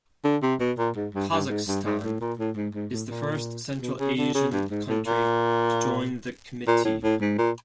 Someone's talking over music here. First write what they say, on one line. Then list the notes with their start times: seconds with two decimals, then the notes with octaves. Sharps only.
Kazakhstan is the first Central Asian country to join the Committee.
0.24 D3
0.43 C3
0.60 B2
0.78 A#2
0.96 G#2
1.14 G2
1.32 G2
1.50 G#2
1.68 G2
1.85 G#2
2.03 A2
2.21 A#2
2.39 A2
2.56 G#2
2.75 G#2
2.92 A2
3.10 A#2
3.82 B2
3.99 C#3
4.18 D3
4.35 C#3
4.53 G2
4.71 G#2
4.89 A2
5.06 A#2
6.68 A#2
6.85 A2
7.03 A2
7.21 G#2
7.38 A#2